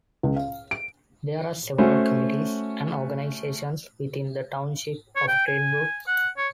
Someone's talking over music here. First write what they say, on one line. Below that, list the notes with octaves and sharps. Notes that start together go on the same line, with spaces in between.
There are several committees and organizations within the township of Green Brook.
C#2
F5
D7
A3 C#4 F#4 C5
C#5
G5
G#5
F#5
C#5